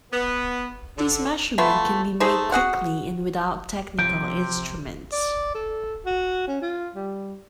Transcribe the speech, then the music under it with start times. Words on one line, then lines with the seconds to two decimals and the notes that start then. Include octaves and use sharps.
This measurement can be made quickly and without technical instruments.
0.13 B3
0.98 D3
1.58 E3 A3 B3 F4
2.20 A3 D#4 G#4 C5
2.52 F#4 G#4 F#5
3.99 C3 F3 G6 D7
5.12 D5
5.54 A4
6.06 F#4
6.47 C#4
6.62 F4
6.95 G3